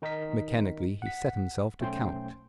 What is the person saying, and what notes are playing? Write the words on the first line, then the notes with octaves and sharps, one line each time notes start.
Mechanically he set himself to count.
D#3 D#4 A#4 D#5 B6
F#5 B6
B1 A3 C#4 C5 G5 C6